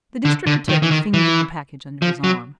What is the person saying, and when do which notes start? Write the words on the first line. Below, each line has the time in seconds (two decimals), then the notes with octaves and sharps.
The district attorney fingered the package under his arm.
0.25 D3
0.47 D3
0.69 D#3
0.83 E3
0.91 D#3
1.14 E3
2.02 F3
2.24 F#3